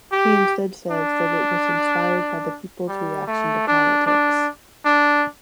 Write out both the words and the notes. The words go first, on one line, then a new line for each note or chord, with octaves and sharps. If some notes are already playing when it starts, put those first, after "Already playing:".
He instead says that it was inspired by the people's reaction to politics.
G4
D4
G3
A3
D4
D4
D4